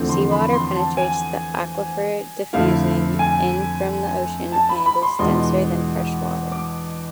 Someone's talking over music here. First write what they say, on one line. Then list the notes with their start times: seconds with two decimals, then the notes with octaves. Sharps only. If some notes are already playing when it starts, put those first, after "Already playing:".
Seawater penetrates the aquifer diffusing in from the ocean and is denser than freshwater.
Already playing: E2 D3 F3 A3 C4
0.09 C6
0.31 B5
0.53 C6
0.75 A5
0.97 G#5
2.53 F2 D3 A3 E4 F5
3.19 G#5
4.52 A5
4.69 B5
4.86 B5
5.02 C6
5.19 E2 B2 G#3 D4 F4 C6
6.52 D6